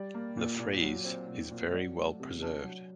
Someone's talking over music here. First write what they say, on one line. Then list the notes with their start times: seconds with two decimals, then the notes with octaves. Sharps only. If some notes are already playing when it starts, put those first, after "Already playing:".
The frieze is very well preserved.
Already playing: G3 D5
0.14 A#3
0.37 A#2
0.59 A#2
0.82 F#3
1.05 C4
1.28 A#2
1.51 A#2
1.73 F#3 D5
1.97 A3
2.20 C3
2.42 D4
2.64 F#3